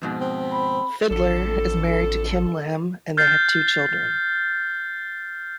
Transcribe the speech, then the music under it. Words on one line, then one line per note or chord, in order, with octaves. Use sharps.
Fidler is married to Khym Lam and they have two children.
F2 G#2 B2
C4
B5
A1 F2 D3 A4
F6 G6 A6 C7